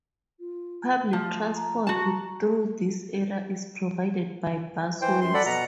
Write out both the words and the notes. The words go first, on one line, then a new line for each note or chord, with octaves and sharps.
Public transport through this area is provided by Busways.
F4
F3 A3
A#5
F#4 A5
E3 C5 G5
F#2 C6
A4 D5 F#5 B5
B2 F#5 A#5